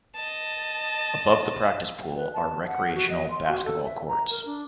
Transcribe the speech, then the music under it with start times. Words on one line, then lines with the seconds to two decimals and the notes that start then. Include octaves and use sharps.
Above the Practice Pool are recreational basketball courts.
0.16 D#5 A5
2.15 B4
2.34 A5
2.67 F#5
2.95 F#4
3.09 D#5
3.31 C6
3.48 F#4
3.65 A4
3.84 E5
4.08 A#5
4.30 A#4
4.46 D4